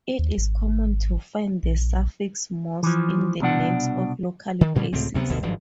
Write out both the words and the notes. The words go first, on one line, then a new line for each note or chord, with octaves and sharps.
It is common to find the suffix "Moss" in the names of local places.
D#2
G#1
A#1
E3 F3
C2 B2 D4 F#5
D#3
G2 A#2 D3 G3
C#2 A2 C3 C4
D2 C3 A#3 B3
F1 D2 B2 D3
G#1 G2 F3 F#3